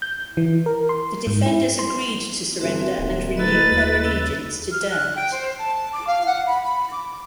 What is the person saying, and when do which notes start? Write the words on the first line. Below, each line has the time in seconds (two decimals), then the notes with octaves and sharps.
The defenders agreed to surrender and renew their allegiance to Diarmait.
0.02 G6
0.37 E3
0.66 A#4
0.89 C6
1.27 G#2
1.46 E4
1.79 C6
2.60 G1 C4 F#4 E5
2.98 D1 D#2
3.37 D2 A#3 E4 B4 D#5 A6
3.71 D#2
4.05 C#3 E6
4.71 F6
4.90 F#6
5.15 G5
5.31 C5
5.58 A5
5.92 D6
6.07 F5
6.26 F#5
6.47 B5
6.64 B5
6.91 D6